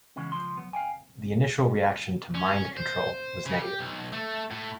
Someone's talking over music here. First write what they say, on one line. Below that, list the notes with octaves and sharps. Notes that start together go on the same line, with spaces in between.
The initial reaction to "Mind Control" was negative.
C#3 E3 G#3 B3 C#4
C#2 F3 C6
F#3 B3
F5 G5 G#5
C#4
C5
C#3
G4
B1
A3
A2